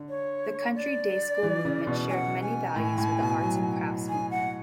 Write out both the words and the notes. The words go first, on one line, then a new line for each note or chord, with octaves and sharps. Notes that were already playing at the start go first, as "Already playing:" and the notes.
The Country Day School movement shared many values with the Arts and Crafts movement.
Already playing: D3
C#5
D5
E3
C#3
B2
G#5
F#5
G#5
A2
A2
B2
F#3
G#5
F#5